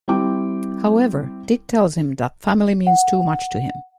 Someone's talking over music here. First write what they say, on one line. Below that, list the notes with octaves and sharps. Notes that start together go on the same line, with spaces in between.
However, Dick tells him that family means too much to him.
G3 C4 E4 G5 D6
F#5